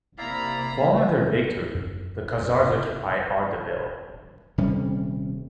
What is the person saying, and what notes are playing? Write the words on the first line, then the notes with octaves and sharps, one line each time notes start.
Following their victory, the Khazars occupied Ardabil.
C3 A#3 E4 D5 F5 A#5 B5
C4
F#2
F#2
D#1 C3 G3 C#4